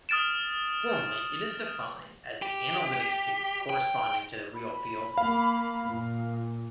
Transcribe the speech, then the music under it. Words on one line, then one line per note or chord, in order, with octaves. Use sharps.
Formally, it is defined as the analytic signal corresponding to the real field.
D#6 F6 A6 D7 E7
G4
G5
B5
A#3 F5
A#2